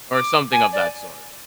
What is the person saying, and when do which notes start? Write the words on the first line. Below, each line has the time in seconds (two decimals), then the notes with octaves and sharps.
or something of that sort.
0.13 D6
0.52 G#5
0.73 D5